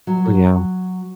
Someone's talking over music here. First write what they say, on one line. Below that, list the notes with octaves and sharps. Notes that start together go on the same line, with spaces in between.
Oh, yeah.
F#3